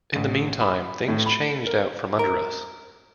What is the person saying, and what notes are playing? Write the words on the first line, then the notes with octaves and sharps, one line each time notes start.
In the meantime, things changed out from under us.
A1
B5
A2
B5
A#4
A#4